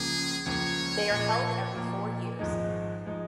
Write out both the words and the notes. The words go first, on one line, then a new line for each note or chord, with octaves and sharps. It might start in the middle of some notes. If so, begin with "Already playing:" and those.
They are held every four years.
Already playing: C#2 C#3 F3 A#3 G#4
C#2 C#3 F3 A#3 C#5
A#2 F3 A#3
A#2 F3 A#3
G#1 G#2 F3 G#3 D#4
F3 G#3 D#4